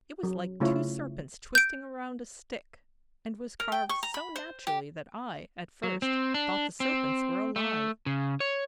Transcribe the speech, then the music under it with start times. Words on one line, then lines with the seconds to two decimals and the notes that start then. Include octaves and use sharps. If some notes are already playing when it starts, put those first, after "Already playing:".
"It was like two serpents twisting around a stick, and was carved so naturally that I, at first, thought the serpents were alive."
0.23 F#3
0.60 C#3 A3 E4 F4 C#5
1.55 G6 D7
3.60 A#4
3.72 G5
3.89 C#6
4.03 A#5
4.14 B5
4.36 C5
4.67 G4
5.83 F#3
6.02 C4
6.34 D4
6.80 C4
7.56 A3
8.06 C#3
8.40 C#5